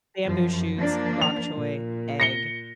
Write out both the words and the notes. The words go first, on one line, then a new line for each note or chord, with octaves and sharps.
Bamboo shoots, bok choy, egg
F#2 F3
F3 A#3 D4
F7
A#2
A#6 C#7 G7